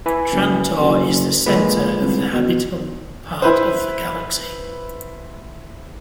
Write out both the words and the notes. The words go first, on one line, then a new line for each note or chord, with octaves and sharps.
Trantor is in the center of the habitable part of the galaxy.
E4 B4 G#5
F#1
F#1
A#2 D3 G#3 B4
C2
B2
E4 B4 C5